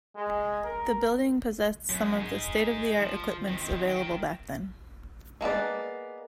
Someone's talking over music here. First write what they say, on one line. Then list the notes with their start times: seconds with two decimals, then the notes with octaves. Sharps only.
The building possessed some of the state-of-the-art equipments available back then.
0.16 G#3
0.64 A#4
1.89 F#2
2.18 D#4 G#4
3.01 F3
3.48 D#3 C4
3.88 A#4 G5
5.41 G#3 A#3 B3 D5